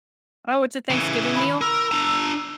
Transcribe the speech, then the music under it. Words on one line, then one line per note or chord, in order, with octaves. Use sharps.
Oh, it's a Thanksgiving meal?
C#3 E3
B5
A#4 E6
D4 A#5